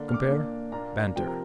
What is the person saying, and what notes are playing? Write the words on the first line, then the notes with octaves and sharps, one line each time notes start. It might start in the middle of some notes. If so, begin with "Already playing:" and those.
Compare BANTER.
Already playing: D3 A#3 D4
F6
D6
A#2 A#3 D4
A#2 A#3 D4 A#5
C3 F3 C4 G5
A#4